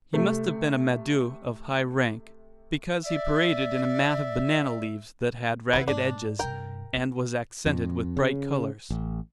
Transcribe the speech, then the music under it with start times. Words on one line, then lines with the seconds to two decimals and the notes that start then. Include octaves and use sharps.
He must have been a "mado" of high rank, because he paraded in a mat of banana leaves that had ragged edges and was accented with bright colors.
0.13 C3 A3
3.06 D5 E5
5.73 C3 D#3 B3 E4
5.88 G#2 D4
6.39 G2 C3 A#4 G5
6.93 C#3 A#3
7.66 F2
8.17 C#3
8.90 A1